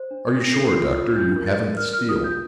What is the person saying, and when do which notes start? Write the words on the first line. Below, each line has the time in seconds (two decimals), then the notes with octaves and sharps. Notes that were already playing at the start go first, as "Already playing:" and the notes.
"Are you sure, Doctor, you haven't the steel?"
Already playing: C5
0.11 D4
0.32 D4
0.41 A#6
0.52 A4 C7
0.68 C7
0.73 F4
0.94 F4
1.15 D4 G6
1.36 A#4
1.46 A6
1.57 D5
1.77 A#4 F6
1.93 F4 F6
2.09 D#6
2.19 D4 G6